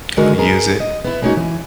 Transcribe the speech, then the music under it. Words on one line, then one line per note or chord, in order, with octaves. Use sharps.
Go use it.
D3 D#3 G#3 F#4 A#4 D#5
B3 G#4 A#4
D#5
B3 E4
G#3 A#3 C#4 D#4 F#4
E3